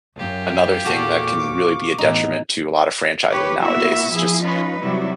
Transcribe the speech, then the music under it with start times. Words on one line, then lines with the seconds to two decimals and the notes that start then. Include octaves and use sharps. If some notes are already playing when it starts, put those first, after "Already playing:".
another thing that can really be a detriment to a lot of franchises nowadays, is just
0.18 F#2 F4 G4
0.86 E2 A#2 F#4 A4 F5 C#6 D6
1.98 A1 E3 B3 D#4
3.31 G4 B4 C#5
3.62 A#2 A#3 B3 E4 F#4 E5
4.12 F3 E4 G#4
4.42 C#4 D#4 F4 B4
4.80 C3 F#3 G3 E4